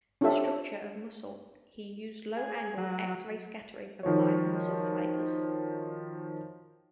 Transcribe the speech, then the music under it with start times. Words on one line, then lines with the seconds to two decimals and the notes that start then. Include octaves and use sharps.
The Structure of Muscle, he used low-angle, X-ray scattering of live muscle fibers.
0.21 C#4 D4 F4 G4 A4 E5
2.37 G#4
2.78 F#3
4.03 D#3 F3 F#4 C#5